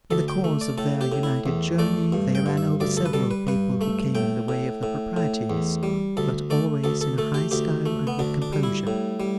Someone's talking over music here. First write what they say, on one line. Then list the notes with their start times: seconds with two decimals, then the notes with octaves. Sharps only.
In the course of their united journey, they ran over several people who came in the way of the proprieties; but always in a high style and with composure.
0.11 D2 A4
0.28 G5
0.44 A3
0.61 D5
0.78 A2 A4
1.01 G4
1.12 A2
1.23 E4
1.46 E2
1.79 A3 D5
2.12 G2
2.35 G5
2.46 G2
2.57 E5
2.80 D2 D5
2.97 A4
3.06 B4
3.13 G3 A4
3.31 B4
3.47 G2 B4
3.81 A3 E5
4.15 A2 G5
4.48 A2
4.83 A2
5.17 A2
5.50 E2
5.83 G3
6.17 D2 A4
6.50 A3 D5
6.84 D2 A4
7.01 A4
7.18 A3 A4
7.34 G4
7.51 D2 G4
7.86 A3
8.07 B3
8.19 D2 D4
8.42 D4
8.53 G3
8.63 E4
8.87 A2
9.20 G3